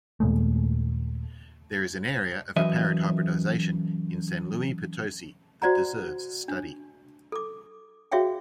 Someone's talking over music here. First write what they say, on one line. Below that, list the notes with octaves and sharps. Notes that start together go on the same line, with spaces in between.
There is an area of apparent hybridization in San Luis Potosi that deserves study.
D#2 A#2 G#3 A3
F#2 E3 D#5 E5
F#4 C5 D5 F#5 A#5
D4
A4 D6
F#4 G#4 C#5 E5 F5 G5